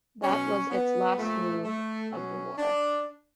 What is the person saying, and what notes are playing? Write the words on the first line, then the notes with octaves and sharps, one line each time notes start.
That was its last move of the war.
B2 F#3 C#4
B3
A#2 F3 A3
A3
B2 F#3 C#4
D4